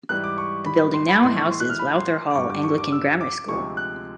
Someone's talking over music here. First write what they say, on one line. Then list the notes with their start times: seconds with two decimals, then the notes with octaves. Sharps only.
The building now houses Lowther Hall Anglican Grammar School.
0.09 G#2 E3 G3 F#6
0.24 D6
0.38 C#6
0.66 B5
0.94 C6
1.08 B5
1.22 A2 E3 G#3 C6
1.36 C#6
1.51 C6
1.60 F#6
1.70 F6
1.79 B5
1.98 C6
2.31 D6
2.35 G2 D3 G3 C#6
2.50 D6
2.64 C#6
2.78 D6
2.92 E6
3.21 D6
3.48 D2 C3 F3 G#3 C#6
3.77 F#6